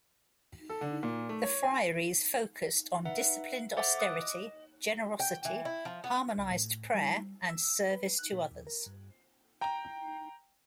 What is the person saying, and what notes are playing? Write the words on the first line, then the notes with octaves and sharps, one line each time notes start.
The friaries focused on disciplined austerity, generosity, harmonized prayer, and service to others.
A4
D3
A#2
A3
C#5
G#5
D#4 B4 E5 F#5
A4 C5 E5 F#5 D6 A6
D6 D#6 F#6 D7
D#5
G5
E3
E4
F3
B3
C2
A2
G3
E6
B4
F#6
A#2
D#2
A#4
G2
G5 A#5